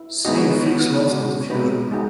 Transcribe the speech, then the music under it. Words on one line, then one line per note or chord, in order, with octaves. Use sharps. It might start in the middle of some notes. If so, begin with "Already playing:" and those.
See Fick's laws of diffusion.
Already playing: E4
G#3 B3 D#4 F#4 D#5
C#5
B4
C#5
B3 D#4 F#4
G#3 C#4 F#4
C#5
G#3 B3 D#4 F#4 B4
G#3 D#4 F#4